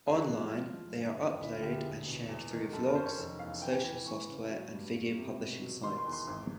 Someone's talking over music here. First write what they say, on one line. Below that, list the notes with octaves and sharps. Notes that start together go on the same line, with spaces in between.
Online, they are uploaded and shared through vlogs, social software, and video publishing sites.
E2 G#4
F#4
F3 F#4
F4
G#3
F3
G1
F#2
D2 E4
F4
D3 G4
G#4
E1
B2
E2
D#3
F#2 A4
A#4
C#4 C5
C#5
F1
E2 F5
E3 G5
G#5
E3 G#5
E3 C#6
C#3
F#3
G2
E1
C3
B2
F#3
D#3 C6
C6
E2
C6
G#1